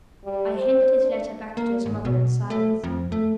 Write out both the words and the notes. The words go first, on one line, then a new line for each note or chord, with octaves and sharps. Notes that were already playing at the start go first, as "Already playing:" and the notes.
I handed his letter back to his mother in silence.
G3
C5
D4
A#3
G#1
B2
A3
F2
A3